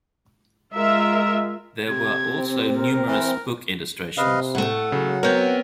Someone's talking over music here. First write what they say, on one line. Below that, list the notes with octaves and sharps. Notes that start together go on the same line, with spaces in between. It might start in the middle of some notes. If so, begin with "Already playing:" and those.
There were also numerous book illustrations.
G#3 F4 A#4 E5
C3 G#6
C4
A#4
E3
C3 B4 D#5 F5
A2 A3 F#5
C#3 F#3
B3 C4 A#4 C#5 G6